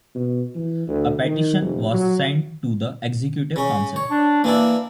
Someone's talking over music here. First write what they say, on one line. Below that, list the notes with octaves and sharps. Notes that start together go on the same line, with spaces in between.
A petition was sent to the Executive Council.
B2
E3
D2
D#3
F1
F#3
C#3 C#4
C#5
D4
E3 A#3 D4 E4